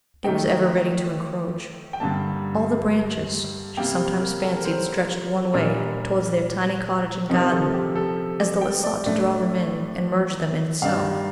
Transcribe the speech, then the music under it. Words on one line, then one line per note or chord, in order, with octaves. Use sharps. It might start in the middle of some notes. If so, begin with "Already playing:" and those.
It was ever ready to encroach. All the branches, she sometimes fancied, stretched one way--towards their tiny cottage and garden, as though it sought to draw them in and merge them in itself.
D#3 A3 D#4 G5
G5
G2 D3 G3 A#3 A5
C3 G3 A#3 G5
A#4
A4
A#4
C5
A#2 G3 D4 A#4
C3 F3 C4 D#4 A#4
A4
G4
A4
D5
G5
D5
A2 A3 D4
G2 D#3 G3 D4 F5